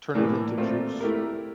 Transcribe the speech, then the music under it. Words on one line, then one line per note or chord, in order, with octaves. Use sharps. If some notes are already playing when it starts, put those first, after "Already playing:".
turn it into juice,
A2 E3 A#3 D4
A#2 A3 C4 F4 A4
A3 E4 G4 A#4